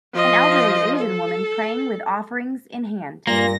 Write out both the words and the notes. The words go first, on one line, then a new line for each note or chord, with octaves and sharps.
An elderly Asian woman praying with offerings in hand.
F3 D#5
A4
G2 A#2 A#3 A#6